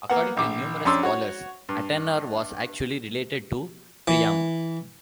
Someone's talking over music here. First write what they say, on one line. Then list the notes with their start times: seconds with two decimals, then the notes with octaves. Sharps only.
According to numerous scholars, Antenor was actually related to Priam.
0.10 A#3 B3 F#5
0.37 A#1 D6
0.85 F2 C#4 D4 C6 E6
1.03 F#4 C#5
1.69 G2
4.08 E3